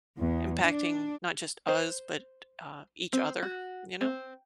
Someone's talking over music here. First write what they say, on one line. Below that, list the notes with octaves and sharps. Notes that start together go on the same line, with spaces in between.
impacting, not just us, but, uh, each other. You know?
E2
D4
C5
C4
F#4
C4